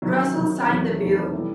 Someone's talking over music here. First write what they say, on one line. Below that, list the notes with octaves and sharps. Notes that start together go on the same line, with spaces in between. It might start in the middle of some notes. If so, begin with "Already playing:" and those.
Russell signed the bill.
C3 D#3 F#3
C3 D#3 F#3
E2 C3 D#3 F#3 A3
E2 C3 D#3 F#3 A3
E3 G3 B3 E4 A4